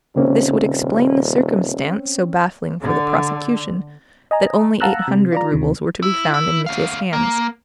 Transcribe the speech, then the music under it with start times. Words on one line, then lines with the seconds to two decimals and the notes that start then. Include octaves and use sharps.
This would explain the circumstance, so baffling for the prosecution, that only eight hundred roubles were to be found in Mitya's hands.
0.16 D#1 C#3 A#3 C4 C#4
2.81 D3
4.31 D#5 G#5 A#5
4.80 F5 F#5 A5 A#5 E6 F#6
5.08 C3
5.32 F4 D5 A#5
5.52 D2 C3 D#3
6.02 E4
6.34 E4
6.66 D2 F5
7.13 A#3